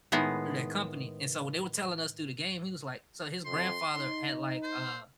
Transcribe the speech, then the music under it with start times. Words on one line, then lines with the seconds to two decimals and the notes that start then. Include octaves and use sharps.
through that company, and, so, when they were telling us through the game, he was like so his grandfather had like, uh,
0.12 A2 D#3 G#3 B3
3.46 F2 C6
3.97 D#4
4.63 C5